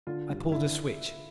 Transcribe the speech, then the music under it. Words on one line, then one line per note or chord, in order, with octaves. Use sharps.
I pulled a switch.
D3 F4
G2
D3 E4